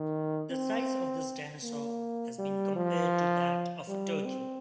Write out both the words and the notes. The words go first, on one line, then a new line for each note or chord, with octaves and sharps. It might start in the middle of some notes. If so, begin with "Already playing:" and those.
The size of this dinosaur has been compared to that of a turkey.
Already playing: D#3
C4
A#3
G3
F3
G3
C4